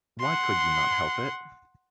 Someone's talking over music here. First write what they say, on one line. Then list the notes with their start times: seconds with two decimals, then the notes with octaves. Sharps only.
Why could you not help it?
0.20 F#5 C6